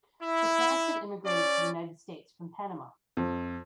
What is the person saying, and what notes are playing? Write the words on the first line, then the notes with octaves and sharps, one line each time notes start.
Her parents had immigrated to the United States from Panama.
E4
C#4 D5
F2